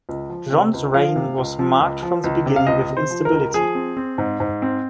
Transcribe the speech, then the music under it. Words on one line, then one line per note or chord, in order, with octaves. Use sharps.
John's reign was marked from the beginning with instability.
C#2
F3
C3
C#2
F3 F5
C3
C#2
F3
C#2
F3
C#2
C3
F5
C#2 D#5
C3
C5
F3
A#4
C#2
F3 G#4
C4
C4
G#2
G#2
C4